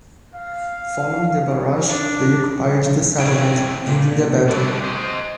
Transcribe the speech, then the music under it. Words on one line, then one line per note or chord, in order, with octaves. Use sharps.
Following the barrage, they occupied the settlement, ending the battle.
F5
D4
E3 C4 E4 B4 C#5 G5
A#2
G3 A3 C4 D4 F#4
C5 D#5